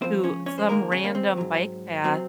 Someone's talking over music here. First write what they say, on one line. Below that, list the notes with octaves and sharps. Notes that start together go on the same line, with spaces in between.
to some random bike path,
C#2 C#3 F3 C4 C5
C#4 C#5
C#4 C#5
C5
D#2 D#3 G#3 A#3 A#4
C#3 C#4
A#3
C4
G#2 F#3
C3 F#3 C4